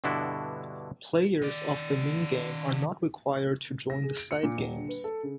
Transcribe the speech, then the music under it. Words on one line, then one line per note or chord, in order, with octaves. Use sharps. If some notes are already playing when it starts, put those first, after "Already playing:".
Players of the main game are not required to join the side games.
G2 B2 D3 D4 E4 F#4
D#3 D5
A#6
G#4
D7
C#7
A#2
D#1
D3
B4
A4
C#3